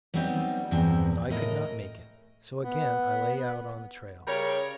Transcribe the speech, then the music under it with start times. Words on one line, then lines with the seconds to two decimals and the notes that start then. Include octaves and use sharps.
But I could not make it, so again I lay out on the trail.
0.14 F#3 G3 B3 C4 D4 D#4
0.71 E2 G2 F3 C4
1.30 A2 A#4 D#5
2.62 B3
4.28 C#3 G3 A#4 C#5